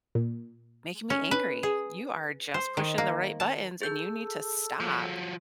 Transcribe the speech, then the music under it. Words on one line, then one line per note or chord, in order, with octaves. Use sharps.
making me angry, you are just pushing the right buttons and you need to stop."
A#2
C#4
B4
G#4
C5
D#3
A#3
A5
G#4 A4 G6
F3 F#3